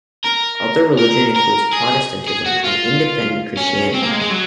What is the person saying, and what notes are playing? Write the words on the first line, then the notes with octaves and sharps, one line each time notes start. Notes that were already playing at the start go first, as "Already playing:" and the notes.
Other religion includes Protestantism and Independent Christianity.
A#4
A#4
A#4
G#4
G#4
F#4
F4
C#4
C4
A#3
G#3
G#3
F#3